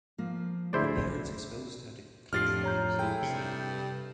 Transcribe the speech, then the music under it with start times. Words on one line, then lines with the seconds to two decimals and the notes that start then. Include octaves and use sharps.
Her parents exposed her to country music and Slipknot.
0.18 F3 A#3
0.73 D2 E4 G#4 C5 D5
2.33 F2 A2 D4 F4 G4 F6 A6 C7
2.64 C#5 A#5 G6
2.99 G#3 E4 A4 G5
3.22 G2 C3